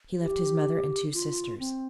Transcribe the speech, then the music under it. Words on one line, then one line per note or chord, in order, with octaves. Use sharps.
He left his mother and two sisters.
G4
F4
C4